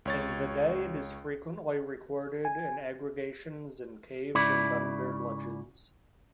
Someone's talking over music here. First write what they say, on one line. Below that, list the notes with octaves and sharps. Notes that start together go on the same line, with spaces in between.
In the day it is frequently recorded in aggregations in caves and under ledges.
C#2 C#5 A6
G#5
G#2 C#3 E4 D5 B5